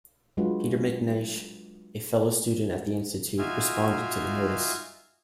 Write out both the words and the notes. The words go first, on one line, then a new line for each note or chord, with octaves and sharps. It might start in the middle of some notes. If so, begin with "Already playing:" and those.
Peter McNeish, a fellow student at the Institute, responded to the notice.
F#3 G#3 D4 F4 F#4 B4
D#4 F4 F#4 E5 F5 G#5